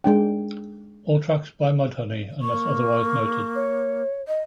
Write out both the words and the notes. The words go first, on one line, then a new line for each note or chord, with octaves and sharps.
All tracks by Mudhoney unless otherwise noted.
G#3 D4 G5
A#3 C#6
C#5
D#5